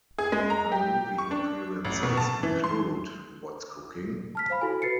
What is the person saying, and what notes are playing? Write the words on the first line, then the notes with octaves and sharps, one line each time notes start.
Her movie appearances include What's Cooking?
G#4
G#3
A#5
G4
C#6
D4
A1
B2
A5
E3
C6
A5 F6 B6
C5 F5 B5
E4 F#4 A4 G#5
E4 F#4 B4 A6 C7 C#7